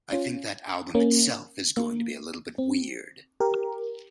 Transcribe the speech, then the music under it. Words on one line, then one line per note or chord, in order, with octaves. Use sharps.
I think that album itself is going to be a little bit weird.
C#4 F4
A#3 C#4
A#3
C4
G4 A#4